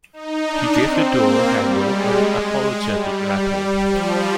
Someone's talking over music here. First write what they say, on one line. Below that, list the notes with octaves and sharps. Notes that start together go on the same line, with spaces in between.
He gave the door handle an apologetic rattle.
D#4
D4
C4
A#3
G3
G#3
G3
G3
F3